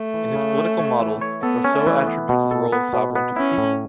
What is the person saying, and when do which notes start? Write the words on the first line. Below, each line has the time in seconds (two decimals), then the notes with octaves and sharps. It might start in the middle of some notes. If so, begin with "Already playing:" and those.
In his political model, Rousseau attributes the role of sovereign to the people.
Already playing: A3
0.14 E3
0.35 C#3
0.57 C#4
0.79 C#5
1.00 E3
1.21 C#5
1.42 B3 A4
1.64 C#4
1.75 A3
1.86 E3
2.07 B3
2.29 B2
2.51 A4
2.73 B3
2.93 B2
3.15 B3
3.36 C#4 E4
3.58 A2